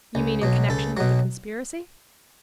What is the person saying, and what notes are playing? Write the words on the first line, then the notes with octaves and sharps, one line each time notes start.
"You mean in connection with the conspiracy?"
C#2
B2 F#3
C#2 A4
B2 F#3 F#5